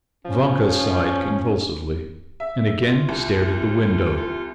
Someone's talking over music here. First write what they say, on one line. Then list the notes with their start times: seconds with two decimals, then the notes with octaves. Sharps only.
Vanka sighed convulsively, and again stared at the window.
0.25 F3 C#4
2.40 E5
2.88 F4
3.09 C2
4.17 F4